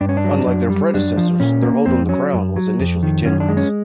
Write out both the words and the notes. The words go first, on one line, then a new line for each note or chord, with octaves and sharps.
Unlike their predecessors, their hold on the crown was initially tenuous.
G2 D4
C#4
D4
F#3
F#2
G3
F#2 D4
F3
A#2 C#4
A#3
F2 C4
F#3 C#4
F#2
F#3
F2
D#3
F#2 C#4
D4
G#3
C#4